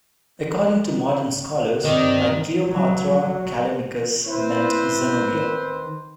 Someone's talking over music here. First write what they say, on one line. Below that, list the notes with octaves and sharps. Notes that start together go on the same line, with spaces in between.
According to modern scholars, by Cleopatra Callinicus meant Zenobia.
G2 C3 D#3 C4 D5 D#5
F#3
F#3
C4 E4 B4 C5
D#3